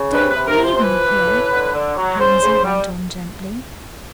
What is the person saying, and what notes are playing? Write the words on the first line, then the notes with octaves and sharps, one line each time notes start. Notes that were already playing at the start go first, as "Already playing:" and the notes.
"Don't leave me here," Pansy went on gently.
Already playing: C#3
C3 B4
B4
C3
A#4
F3
C5
C5
E3 B4
E3
A2
D3
D3
F#3
C#3 C5
C#3
G3